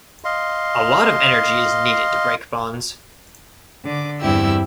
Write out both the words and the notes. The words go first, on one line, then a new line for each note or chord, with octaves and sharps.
A lot of energy is needed to break bonds.
D#5 F5 C6
D3 D6
E2 G2 C4 E4 G4 E6